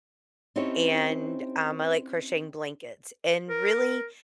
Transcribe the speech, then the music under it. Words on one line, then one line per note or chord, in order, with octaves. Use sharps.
and, um, I like crocheting blankets. And, really,
C4 C#4 D#4 E4 G4 C#5
A#4